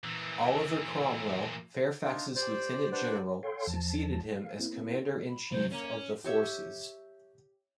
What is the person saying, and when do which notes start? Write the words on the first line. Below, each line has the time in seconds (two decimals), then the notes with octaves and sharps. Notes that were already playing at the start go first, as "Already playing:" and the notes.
Oliver Cromwell, Fairfax's Lieutenant-General, succeeded him as Commander-in-chief of the Forces.
0.04 A#2 E3
2.05 D4 D#4 F4
2.36 G4 C5 D5
2.92 D4 G4 B4 C5 D5 F#5
3.43 A4 C#5 F5 G5 C6
3.67 E2 F3 A5
4.36 F5
4.59 A#3 C4 E4
5.29 B5
5.52 C3 F#3 C5
5.72 A#3 C#4
6.24 G4 C#5 E5